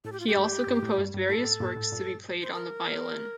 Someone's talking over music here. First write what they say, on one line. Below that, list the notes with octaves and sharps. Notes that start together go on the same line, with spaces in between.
He also composed various works to be played on the violin.
A2 A4
G4
F4
G4
G2
G2
A2
G2
G2
A2 A4
A2
G2 A#2
A2
G2 A#2
C5
A#4